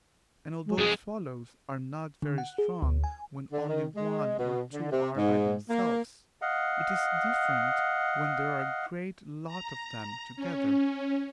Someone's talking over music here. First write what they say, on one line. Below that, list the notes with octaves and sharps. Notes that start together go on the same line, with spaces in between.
And although swallows are not very strong when only one or two are by themselves, it is different when there are a great lot of them together.
G#3
F2 G#3 G#4
D3
F#5
G#4
D2
G#5
D3
D#3
G#3
B2
D3
C3
G#2
A#3
D#5 F5 F#5
A#5
C#4